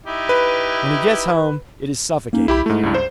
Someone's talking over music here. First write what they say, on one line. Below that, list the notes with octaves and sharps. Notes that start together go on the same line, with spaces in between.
When he gets home it is suffocated.
D#4 E4 G4
B4
A#3 C#4 D#4
B1 E4 G4 B5
G#2 A3 E4
C#2 G2
C5